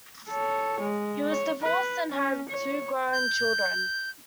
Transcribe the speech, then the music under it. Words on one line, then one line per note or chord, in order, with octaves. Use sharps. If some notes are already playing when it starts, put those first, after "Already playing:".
He was divorced and had two grown children.
A4 C#5
G#3
C#5
B4
C#4
C#5
G6